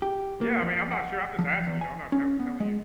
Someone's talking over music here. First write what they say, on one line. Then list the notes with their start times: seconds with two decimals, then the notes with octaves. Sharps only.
Yeah, I mean, I'm not sure, I'm just asking, you know? I'm not tell telling you
0.02 G4
0.41 A#3
0.62 F2
0.91 F#5
1.39 F3
1.67 E2
1.81 G#5
2.12 C#4
2.40 B3
2.60 G#3